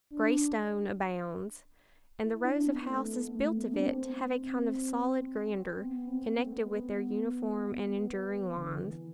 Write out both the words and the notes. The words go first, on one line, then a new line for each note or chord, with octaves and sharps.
Grey stone abounds; and the rows of houses built of it have a kind of solid grandeur connected with their uniform and enduring lines.
D4
E4
D4
B3
B3
A3
B3
A3
B3
D4
C4
B3
C4
C4
A3
B3
D3
E3